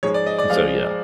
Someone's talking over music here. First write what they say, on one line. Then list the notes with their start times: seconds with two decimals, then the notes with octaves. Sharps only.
so, yeah,
0.03 G#2 F3 G#3 C#5
0.14 D5
0.26 D#5
0.38 D5
0.50 F3 G#3 F5